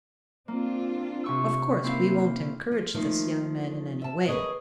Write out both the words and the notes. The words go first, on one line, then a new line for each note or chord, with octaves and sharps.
Of course we won't encourage this young man in any way.
A#3 C4 D4 F4
C3 C#6 E6
A#3 C4 C#4 E4 F5
F3
D#3 F3 A3 A#3
E5 A5
G#4 A#4 B4 C#5 D#5